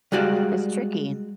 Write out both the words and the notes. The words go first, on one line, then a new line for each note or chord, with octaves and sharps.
It's tricky.
G3 G#3 F#4 D5 F5